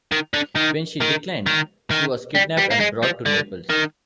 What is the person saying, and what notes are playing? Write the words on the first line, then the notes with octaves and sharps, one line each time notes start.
When she declined, she was kidnapped and brought to Naples.
D#3
D3
D#3
D#3
D#3
D#3
G3
G3
A#3
G#3
F3
D3
D#3